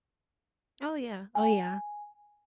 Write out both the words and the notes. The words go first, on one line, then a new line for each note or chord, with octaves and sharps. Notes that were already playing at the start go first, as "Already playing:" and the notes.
Oh, yeah, oh, yeah.
G#5